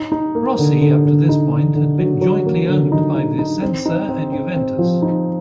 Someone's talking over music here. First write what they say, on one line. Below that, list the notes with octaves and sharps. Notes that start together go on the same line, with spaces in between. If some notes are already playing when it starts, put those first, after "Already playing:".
Rossi up to this point had been jointly owned by Vicenza and Juventus.
Already playing: D#4
D#4
A#3
D3
D3
D3
D#4
D3
D3
F#3
F#3
A#3
D3
D#4
D#4
D#4
C4
D#4
C4
C4
C4
F3
D#4